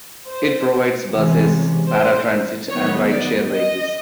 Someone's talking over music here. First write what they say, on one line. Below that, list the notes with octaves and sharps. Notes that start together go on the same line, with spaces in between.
It provides buses, paratransit, and rideshare vehicles.
C5
C3 E3 G#3 C#4
C5
D#3 F#3 B3 C#5
D5
D#5